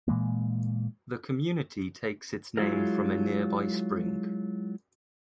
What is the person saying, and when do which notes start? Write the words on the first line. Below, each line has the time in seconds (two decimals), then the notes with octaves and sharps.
The community takes its name from a nearby spring.
0.08 A#2 E3 G#3 A#3
2.57 F#3 G#3 E4 F4 G#4 A#4